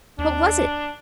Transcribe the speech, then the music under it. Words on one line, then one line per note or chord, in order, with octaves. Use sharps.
What was it?
D#2 D4